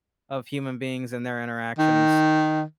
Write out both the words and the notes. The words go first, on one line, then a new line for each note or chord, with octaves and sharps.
of human beings and their interactions.
D#3